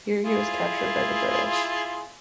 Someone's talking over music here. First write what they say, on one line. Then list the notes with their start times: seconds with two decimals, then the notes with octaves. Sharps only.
Here he was captured by the British.
0.25 E4 F4 G#4